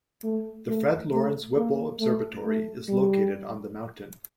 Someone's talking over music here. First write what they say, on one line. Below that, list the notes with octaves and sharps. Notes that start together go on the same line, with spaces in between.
The Fred Lawrence Whipple Observatory is located on the mountain.
A3
A3
A3
A#3
A3
A3
G3